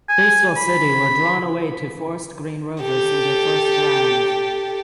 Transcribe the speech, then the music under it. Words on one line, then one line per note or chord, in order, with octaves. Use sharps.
Bristol City were drawn away to Forest Green Rovers in the first round.
G#5
B5
G4 A4